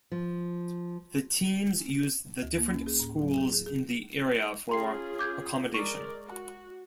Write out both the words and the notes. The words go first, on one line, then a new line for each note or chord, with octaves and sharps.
The teams use the different schools in the area for accommodation.
F3
D2
A#3
C#4
G#4
A2
F#3
G#4
G#4
G#4
C#4 F4 G#4 A#5 C6 C7
D6 G6 G#6
G#3 A#4 D5 C#6
F#4